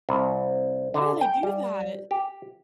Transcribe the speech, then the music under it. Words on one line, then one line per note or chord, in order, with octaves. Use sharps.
how do they do that?"
C2
D3
G5
G3
G4